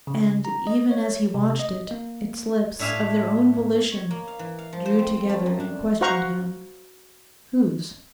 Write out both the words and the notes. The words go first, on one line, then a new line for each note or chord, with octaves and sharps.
And even as he watched it, its lips, of their own volition, drew together and questioned him--'Whose?'
C#3
A#5
D#5
C#5
C3
D#5
A#3
A2 D4 E5 F5 G#5
C#5
A#3
F5
E3
F5
F3
C5
C4
C4
A3
F#2
D4
F#4 C5 F5 F#5 A#5 C#6